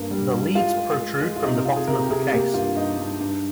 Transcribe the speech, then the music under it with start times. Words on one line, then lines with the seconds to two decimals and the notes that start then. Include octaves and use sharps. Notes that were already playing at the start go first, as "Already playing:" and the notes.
The leads protrude from the bottom of the case.
Already playing: G2 A#3
0.11 G3
0.32 G3
0.55 G#3 F4
0.76 G#3
0.99 G#3
1.21 G#3
1.36 F4
1.43 C3 D#4
1.65 C3 F4
1.76 G#4
1.87 C3 A#4
2.03 G4
2.10 C3 G#4
2.32 A#3 G4
2.54 G2 F4
2.76 G2 D#4
2.98 G2
3.20 G2